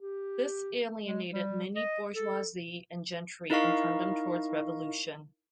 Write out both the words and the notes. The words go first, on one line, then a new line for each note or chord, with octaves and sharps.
This alienated many bourgeoisie and gentry and turned them towards revolution.
G4
G#3
G3
D#5
A4
D#4 E4 A#4 D#5 F5 C#6